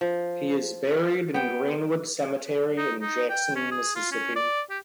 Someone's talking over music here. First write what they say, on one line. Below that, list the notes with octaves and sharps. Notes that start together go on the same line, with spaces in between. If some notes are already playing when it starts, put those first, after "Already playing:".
He is buried in Greenwood Cemetery in Jackson, Mississippi.
F3
B3 G5
D#4
D#4
G5
C#4
G#4
F4
C#4
D5
G4